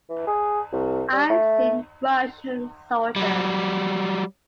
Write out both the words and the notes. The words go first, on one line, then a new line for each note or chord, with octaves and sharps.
I've seen Russian soldiers.
E3
G#4
C2
G3
A3
F#3 G3